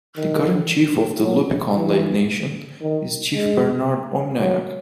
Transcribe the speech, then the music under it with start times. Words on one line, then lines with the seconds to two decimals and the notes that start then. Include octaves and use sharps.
The current Chief of the Lubicon Lake Nation is Chief Bernard Ominayak.
0.17 D#3
1.22 F#3
1.75 E3
2.82 D#3
3.35 G#3
4.40 F#3